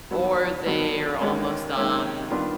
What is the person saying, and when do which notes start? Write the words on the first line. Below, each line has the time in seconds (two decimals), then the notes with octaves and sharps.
or they are almost, um
0.11 G2 D#3 F#3 B3
0.66 G2 D#3 F#3 B3
1.20 D#2 D#3 G#3 C#4
1.76 D#2 D#3 G#3 C#4
2.31 D#3 G3 B3 D4 F4